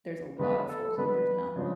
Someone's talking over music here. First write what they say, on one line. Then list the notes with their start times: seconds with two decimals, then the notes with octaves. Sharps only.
there's a lot of foreclosures now,
0.39 D3 G#3 B3 D4 B4
0.68 A4
0.97 D3 G#3 B3 D4 B4
1.56 C#3 F3 G#3 D4